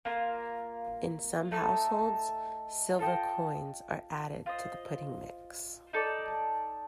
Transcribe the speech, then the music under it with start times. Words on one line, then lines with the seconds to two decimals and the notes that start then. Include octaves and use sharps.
In some households, silver coins are added to the pudding mix.
0.05 A#3 F4 A#4
1.52 A3 D#4 A4
2.99 F4 A4 D#5 G5
4.46 F4 C5 D#5
5.93 D#4 A4 D5